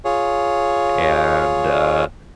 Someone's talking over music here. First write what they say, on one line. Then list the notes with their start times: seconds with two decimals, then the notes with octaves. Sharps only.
and, uh,
0.05 F4 G#4 C#5